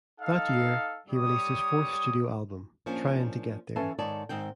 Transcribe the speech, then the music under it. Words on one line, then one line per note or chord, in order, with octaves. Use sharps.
That year, he released his fourth studio album, "Tryin' to Get There".
D#4 A4 F5
G3 C#5 D#6
F3 A#3 C#4 D4
E3 C#4 A4 B4 F5 A5
G#2 D#3 C#5 D5 A5
G#2 D#3 C4 G5